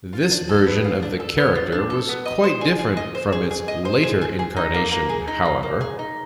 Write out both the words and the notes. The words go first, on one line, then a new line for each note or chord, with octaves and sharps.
This version of the character was quite different from its later incarnation, however.
F4
D4
A4
B3
F4
D4
A4
B3
F4
D4
A4
B3
D#5
C5
G#4
G#4
D#5
C5
G#4
G#4
D#5
C5
G#4
G#4
G#4
D#4
A#3
A#3
G#4
D#4
A#3
A#3
G#4
D#4